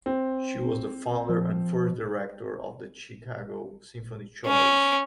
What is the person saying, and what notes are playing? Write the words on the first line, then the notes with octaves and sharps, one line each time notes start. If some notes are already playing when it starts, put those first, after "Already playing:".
She was the founder and first director of the Chicago Symphony Chorus.
C4
F3
C#4